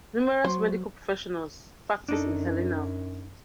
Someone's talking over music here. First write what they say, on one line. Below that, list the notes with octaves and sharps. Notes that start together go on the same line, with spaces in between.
Numerous medical professionals practice in Helena.
F#3 C5
F#2 D4 D#4 A4